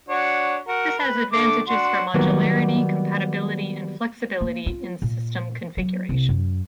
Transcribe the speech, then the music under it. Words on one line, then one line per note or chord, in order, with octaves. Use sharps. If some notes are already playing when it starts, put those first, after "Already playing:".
This has advantages for modularity, compatibility, and flexibility in system configuration.
D4 F#4 C#5
F#4 A#4
B4
D3 A3 D6
D4 F#4 C6
D#3 F#3 G3 A#3 B3
A#3
F4
A#2
F#3
C2
F#2